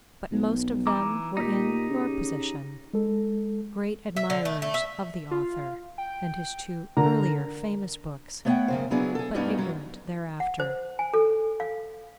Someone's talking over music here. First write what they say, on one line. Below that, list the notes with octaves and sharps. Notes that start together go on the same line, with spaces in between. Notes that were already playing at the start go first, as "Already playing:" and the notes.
But most of them were in your position--great admirers of the author and his two earlier famous books, but ignorant thereafter.
B1
E3 A#5 D6
A#2 D#4 G4
C#3
G#3 A4
E5
D3
A3
A3
E5
F4
G5
D3 A#4 A#5
A3 B3 C#5 E5 F#5 G5
F#2 C#3 C5
C#3 F#3 B3 D4 E4 G#4
G#4 A4
G2 G3 G#3 B3 C#4 D#4
F#2 F#3
F#5
C5
G#5
A4
F5